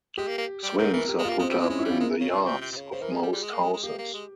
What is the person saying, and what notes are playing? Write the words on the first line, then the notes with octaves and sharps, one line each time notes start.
Swings are put up in the yards of most houses.
G#3 G4
A#3
A#3
G3
C3 A#4
E3 A#4
G4
G#3
A#3 F4
G#3 C4
G3
G#3 C4
E4
G#3 C#4
E4
G3
F4
G#3 A#4
C#3
A#2
C#3
C3
C3
C3
C#3
C#3 C5
E3 A#4
F3 G#4
G3 G#4
G3
G#3
A#3
G#3
G#3
A#3 G4
A#3
G#3